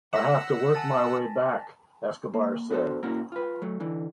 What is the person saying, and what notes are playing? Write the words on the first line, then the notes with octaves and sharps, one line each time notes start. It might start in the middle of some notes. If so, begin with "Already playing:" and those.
I have to work my way back, Escobar said.
F#5 E6 A#6 B6 E7
G#5 A5 A6
A#3
B3 D4 F#4 G#4 A4 C5
A#2 A#3 C#4 E4 F#4 A#4
F4 B4
F#3 A3
D3 E3